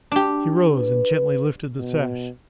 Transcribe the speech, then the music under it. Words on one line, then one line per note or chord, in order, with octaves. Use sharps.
He rose and gently lifted the sash.
D4 G4
B4
B2